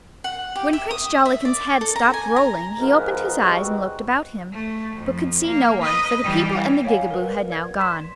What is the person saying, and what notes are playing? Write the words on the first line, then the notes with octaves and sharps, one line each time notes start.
When Prince Jollikin's head stopped rolling, he opened his eyes and looked about him, but could see no one; for the people and the Gigaboo had now gone.
F#5
G4
E5
D#6
E5
D5
A4
A#5
G#5
A#5
G#2 B2 F3 D#4 A#4 B4
G3 G#3 B3 C4 D#4 F#4
A3
F2
A#3
B4 D#5
E3 G3
C#5 D#5 F5 F#5 G#5
A#4 B4
D5 G#6
C6 B6 E7